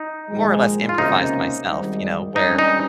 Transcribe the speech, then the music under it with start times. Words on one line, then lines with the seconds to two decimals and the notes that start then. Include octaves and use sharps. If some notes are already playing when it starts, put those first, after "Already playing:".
more or less improvised myself, you know, where
Already playing: D#4
0.29 A#1 G#2 D#3 G#3
0.89 F4
0.98 C#2 C3 D#3 A#3 C#4 D#4
1.67 G#1 G#2 D#3 G3
2.36 G#1 G2 G3 C#4 D#4
2.59 D#4